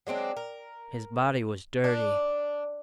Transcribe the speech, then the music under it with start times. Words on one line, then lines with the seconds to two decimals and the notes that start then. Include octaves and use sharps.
His body was dirty.
0.07 F#3 G#3 C4 D4
0.37 A#4
1.84 D4